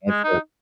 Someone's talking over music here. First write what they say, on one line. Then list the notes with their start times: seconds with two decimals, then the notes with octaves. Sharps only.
and for
0.09 G#3
0.24 D#4